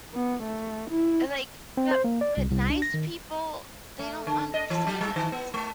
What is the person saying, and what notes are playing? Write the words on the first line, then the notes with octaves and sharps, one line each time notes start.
Like, but but nice people, they don't understand.
B3
A3
E4
C4
C5
A#3
D5
C2
C2
D4
A#6
D#3
A3
D3
D#5
E3
F#3
G3
D#3
B3
A3